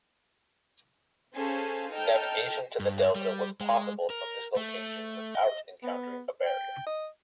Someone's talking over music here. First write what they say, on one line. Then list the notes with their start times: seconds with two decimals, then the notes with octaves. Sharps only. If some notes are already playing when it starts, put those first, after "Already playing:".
Navigation to the delta was possible from this location without encountering a barrier.
1.35 C#4 G#4 A4 C5 F5
1.91 D#4 A4 G5 F6 G6
2.80 G2
3.15 G3
3.61 G#3
4.10 A#4
4.56 A3
5.35 D#5
5.83 B3
6.46 G5
6.87 D#5